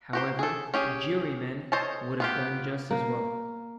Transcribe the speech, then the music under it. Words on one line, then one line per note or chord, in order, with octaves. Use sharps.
However, ‘jurymen’ would have done just as well.
F#4 G4 C5
G#4 A4
C#4 G4 G#4
A4 C5 C#5 D#5 A5
B3 F4 G4
A#3